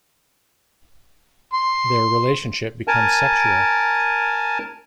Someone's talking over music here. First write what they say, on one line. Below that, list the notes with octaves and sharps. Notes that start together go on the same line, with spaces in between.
Their relationship becomes sexual.
C6
A#4 G#5 A5